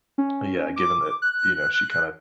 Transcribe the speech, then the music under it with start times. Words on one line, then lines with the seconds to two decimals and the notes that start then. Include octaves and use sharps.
Yeah, given that, you know, she kind of
0.18 C#4
0.76 D6
1.22 F#6